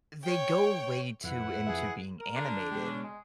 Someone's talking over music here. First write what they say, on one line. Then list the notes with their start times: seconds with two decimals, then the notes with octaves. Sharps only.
they go way too into being animated,
0.23 C#5 G5
1.24 F2 E4 B4 F#5
1.67 F2 G#4 E5
2.19 A#4
2.36 D3 D4
2.72 B2 G#3 G4
2.85 C#4
3.03 G#3